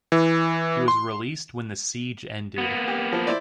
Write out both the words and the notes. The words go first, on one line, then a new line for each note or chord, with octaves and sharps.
He was released when the siege ended.
E3
C6
A#3 B3
G4
F3
E4 C5 D5